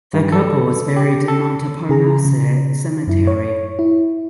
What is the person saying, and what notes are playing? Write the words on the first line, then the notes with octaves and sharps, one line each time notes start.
The couple was buried in Montparnasse Cemetery.
G2
A4
G4
A4
C#3 G#4 A#5
C#3
F#2 E4
C#5
E4